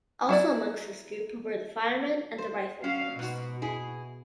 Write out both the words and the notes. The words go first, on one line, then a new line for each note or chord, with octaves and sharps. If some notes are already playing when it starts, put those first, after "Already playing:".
Also amongst this group were the firemen, and the rifle corps.
F#3 E4 D5
C5
F#3 C#4 F5
G#2 B2 F#4
E4 G#4